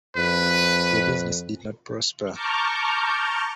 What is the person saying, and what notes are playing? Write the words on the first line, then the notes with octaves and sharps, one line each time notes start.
The business did not prosper.
F2 B4
A5 A#5 C#6 D6 F6 G6